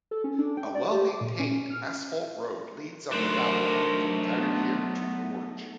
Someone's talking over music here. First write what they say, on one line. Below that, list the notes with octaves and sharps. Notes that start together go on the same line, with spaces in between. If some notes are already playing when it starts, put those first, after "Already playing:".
A well-maintained asphalt road leads up the valley from Tinerhir to the gorge.
A4
C#4
D4
G5
D5
G4
D6
A#2
C#4
C#4
F6
F#3 A3 D4 D#4 A#4 C5
B3